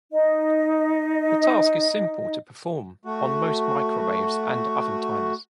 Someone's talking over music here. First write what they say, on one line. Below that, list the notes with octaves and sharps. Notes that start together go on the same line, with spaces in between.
The task is simple to perform on most microwaves and oven timers.
D#4 D#5
A3 F#4